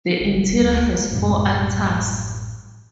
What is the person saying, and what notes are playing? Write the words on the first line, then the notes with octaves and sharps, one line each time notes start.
The interior has four altars.
G1
E1
D2
F#1
A1 F#2 B2 G3